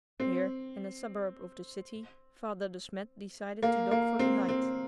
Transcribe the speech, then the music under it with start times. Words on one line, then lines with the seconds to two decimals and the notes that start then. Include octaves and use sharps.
Here, in a suburb of the city, Father De Smet decided to dock for the night.
0.20 C4
3.63 A#3
3.91 A#3
4.19 C4
4.49 C4